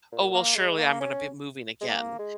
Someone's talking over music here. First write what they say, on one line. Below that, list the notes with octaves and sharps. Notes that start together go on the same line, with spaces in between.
"Oh, well surely I'm gonna be moving again,"
A#2
A#3
G#3
A#3
C#4
G#3
A#3
G#3